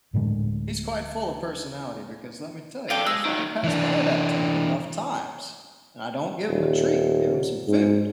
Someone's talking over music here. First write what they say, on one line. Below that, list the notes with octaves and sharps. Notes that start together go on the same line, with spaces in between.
he's quite full of personality because, let me tell you, if I pass by that tank enough times and I don't give him a treat or give him some food,
D1 A2 D3 G#3
D4 F4 A4 G5
G#3 E6
D#3 F#3
E3 D4
D#1
G#2